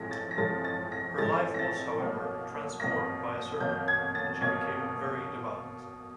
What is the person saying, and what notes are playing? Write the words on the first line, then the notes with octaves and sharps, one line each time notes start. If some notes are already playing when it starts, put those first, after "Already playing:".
Her life was, however, transformed by a sermon and she became very devout.
Already playing: A2 F3 G#3 A#6
A6
A#6
A2 F3 G#3 A6
A6
A#6
A2 F3 G#3 A6
A#6
A6
B2 F#3 A#3
B2 F#3 A#3 A#6
B2 F#3 A#3 G6
G#6
A6
B2 F#3 A#3 G#6